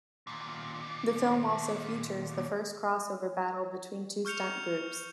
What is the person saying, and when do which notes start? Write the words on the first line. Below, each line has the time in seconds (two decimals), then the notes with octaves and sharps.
The film also features the first cross over battle between two stunt groups.
0.27 D#2 A#2
4.25 C#6 F6 G6 C#7 F7